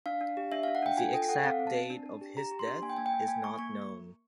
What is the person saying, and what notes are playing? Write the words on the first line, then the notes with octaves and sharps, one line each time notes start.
The exact date of his death is not known.
D4 F5
D4
G4
D4 E5
D4 F5
F#5
D4 G5
F4 G#5
A4 G5
A4 F#5
C4 F5
C4
A5
C4
D4
D4
G4
G4 A#5
G4
C6
D4
A#3 G#5
G5
A#3 G#5
G5
A#3
A#3 G#5
A#3 C#6
A#3 C#6